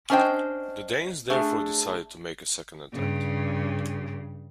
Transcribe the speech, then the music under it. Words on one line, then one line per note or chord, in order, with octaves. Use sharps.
The Danes therefore decided to make a second attempt.
C#4 D4 C5 D#5 G5
A3 D4 G#4
G2 C#3